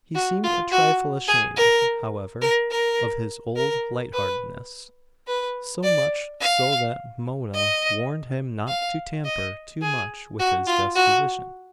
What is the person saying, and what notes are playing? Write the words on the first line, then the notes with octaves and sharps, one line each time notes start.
He seemed a trifle ashamed, however, of his old lightheartedness; so much so that Mona warned him not to tamper too much with his disposition.
F#4
F4
F#4
G#4
A#4
A#4
A#4
A#4
B4
B4
D5
F5
D#5
F5
D#5
G#4
F#4
F4
F#4